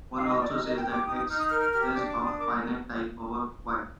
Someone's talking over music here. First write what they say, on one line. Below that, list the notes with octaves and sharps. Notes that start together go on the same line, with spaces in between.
One also says that "X" is of finite type over "Y".
D#4 F5
D#5
D#4 D5
D#5
A#4 D#5
G5
G4
D6
D#4 D#6
D#6
D#4 F6
D#6
A#4 F6
F6
G4 F6
F6
D4 D6
D6
D4
D#6
A#4 D6